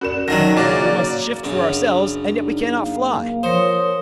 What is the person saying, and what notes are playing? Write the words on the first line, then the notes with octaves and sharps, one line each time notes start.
We must shift for ourselves, and yet we cannot fly!
C#4 F#4 A#4 D5 E7
D3 D#3 F#3 D#4 A#6
A#2 C#3 F#4 C#5 D5
F#2 C#3 D4
D#4
A#3 F5
F3 A#4 C5 C#5 D#6